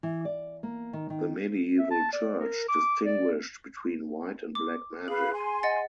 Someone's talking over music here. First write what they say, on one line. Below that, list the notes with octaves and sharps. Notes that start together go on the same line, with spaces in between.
The medieval Church distinguished between "white" and "black" magic.
E3
D5
A#3
D#3
D#3
E5
A5
D5
A#4
D6
D5
D6
G#4 B4 F5 B5
G#5 C6
D#5 F#5 A6